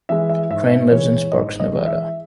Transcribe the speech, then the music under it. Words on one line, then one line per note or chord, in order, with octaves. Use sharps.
Crane lives in Sparks, Nevada.
E3 G#3 E5
E5
G#2 E5
E3 G#3 C#5
G#2 D#5
D#5
E3 G#3
E5